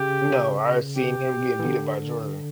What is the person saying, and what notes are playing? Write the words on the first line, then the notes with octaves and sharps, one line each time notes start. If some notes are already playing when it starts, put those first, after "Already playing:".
No, I've seen him get beat up by Jordan.
Already playing: C#3 G4
G4
E3
D3